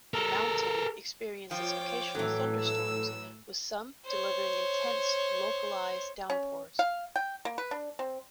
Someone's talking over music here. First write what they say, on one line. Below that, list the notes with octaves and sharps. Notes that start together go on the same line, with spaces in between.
The mountain experiences occasional thunderstorms with some delivering intense, localized downpours.
A4 A#4
F3 F4 C#5 G5 D6
A2 E3 F#3 A4
E6
C5 C#5
C#4
F5
G5
A#3
B4
D4
C4